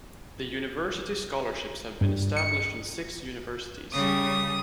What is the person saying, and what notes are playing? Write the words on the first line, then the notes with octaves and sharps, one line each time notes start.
The University Scholarships have been established in six universities.
G2
C#7
C#3 G3 D#6